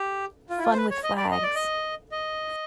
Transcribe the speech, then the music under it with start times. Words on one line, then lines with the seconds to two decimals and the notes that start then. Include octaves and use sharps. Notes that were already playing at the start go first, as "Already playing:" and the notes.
Fun with flags.
Already playing: G4
0.50 F4
0.58 E4
0.63 F4
0.73 C5
0.77 B4
0.90 C#5
1.03 D#5
1.17 D5
1.31 D#5
1.43 D5
1.55 D#5
2.12 D#5